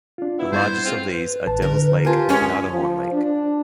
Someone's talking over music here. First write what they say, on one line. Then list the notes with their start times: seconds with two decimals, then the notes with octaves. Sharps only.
The largest of these are Devil's Lake and Powderhorn Lake.
0.18 D4 F4
0.39 B3 E4
0.52 G2 C5 G#6 A6
0.85 A2 G#3 C4 F4
1.12 B4
1.47 A1 A5
1.62 D3 A#4
2.05 F4 G4 A#4 G#5 A5
2.29 G#3 C#4
2.70 F3
3.12 D4